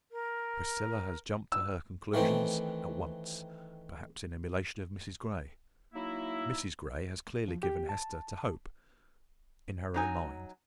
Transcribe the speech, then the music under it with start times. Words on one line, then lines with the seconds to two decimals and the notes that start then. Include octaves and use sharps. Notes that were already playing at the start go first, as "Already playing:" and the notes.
Priscilla has jumped to her conclusion at once,--perhaps in emulation of Mrs Grey. Mrs Grey has clearly given Hester to Hope, in her own mind.
0.11 A#4
1.52 E6
2.14 D#3 E3 A3 C4
5.94 F#3 A#3 D#4 E4
7.48 F3
7.63 G4
7.89 A5
9.94 F#3 D#4 G#5